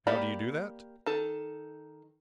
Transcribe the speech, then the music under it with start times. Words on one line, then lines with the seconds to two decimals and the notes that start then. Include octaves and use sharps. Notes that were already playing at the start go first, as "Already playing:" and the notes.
"How do you do that?"
0.07 A#3 G4 D5 B5
1.06 D#3 A4